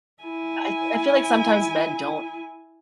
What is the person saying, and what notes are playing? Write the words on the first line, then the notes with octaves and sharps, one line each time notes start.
I f I feel like sometimes men don't
E4 G#5